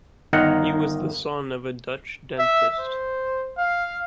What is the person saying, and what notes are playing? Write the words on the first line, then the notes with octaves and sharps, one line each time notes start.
He was the son of a Dutch dentist.
G1 D#3 D#4 A#4 D#5 F#5
E5
C5
F5